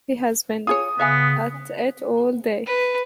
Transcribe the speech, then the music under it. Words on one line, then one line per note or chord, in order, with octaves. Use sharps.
He has been at it all day.
F4 G#4 C#5 D#6
C#3 B3 E5 F5 G#5
B4